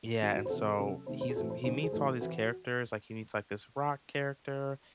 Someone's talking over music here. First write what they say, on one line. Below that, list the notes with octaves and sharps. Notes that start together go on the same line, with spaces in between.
yeah, and so he's m he meets all these characters, like, he meets, like, this rock character,
D#3 G#3 C4 F#4
F#4
C5
C3 E3 C4 A4
C3 F#3 C#4
C3 D#3 A3 C5
C5
G#4
A2 E3 C4 F#4 A4
C5
C#3 F#3 C4 D#4 F#4 C5
G#4
A2 E3 A3 D#4 F#4 A4
E3 C4 E4 F#4